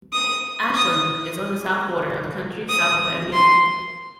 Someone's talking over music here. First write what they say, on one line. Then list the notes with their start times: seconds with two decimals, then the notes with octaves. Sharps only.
Ashland is on the south border of the county, south of Elmira.
0.13 D#6
0.77 D#6
2.69 D#6
3.33 C6